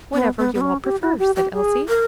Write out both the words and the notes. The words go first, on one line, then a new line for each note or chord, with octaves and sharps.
"Whatever you all prefer," said Elsie.
B3
B3
B3
C#4
G4
E4
G4
G4
G#4
A#4